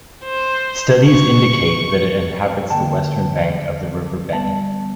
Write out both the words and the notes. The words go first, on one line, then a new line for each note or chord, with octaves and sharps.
Studies indicate that it inhabits the western bank of the river Beni.
C5
C#6
D3 A#3 G5 A5
G3 B3 A5